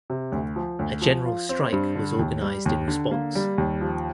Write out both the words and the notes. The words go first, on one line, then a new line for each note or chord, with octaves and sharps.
A general strike was organized in response.
C3
D2
F3
D2
F3
F4
C4
G2
D3
D#2
G3
D#2
D3
A#3
G3
D#2
F3